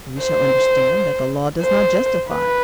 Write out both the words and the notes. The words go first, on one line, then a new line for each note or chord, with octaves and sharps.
We shall understand that the Law does not justify.
C5
C5
B4